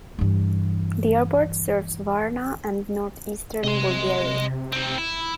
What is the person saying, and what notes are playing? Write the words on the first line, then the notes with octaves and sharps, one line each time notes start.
The airport serves Varna and northeastern Bulgaria.
G2 E3
C3 D#5 C6
C4 D#4
E4